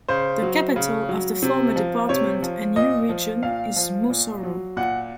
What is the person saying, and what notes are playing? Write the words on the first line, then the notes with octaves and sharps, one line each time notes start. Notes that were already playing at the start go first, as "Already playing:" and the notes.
The capital of the former department and new region is Moussoro.
C#3 C5
F#3
C#3
F#3
C3
F3
C3 C#5
F3
A#2 D#5
F3
A#2 F5
F3
A#2
F#3
A#2 F#5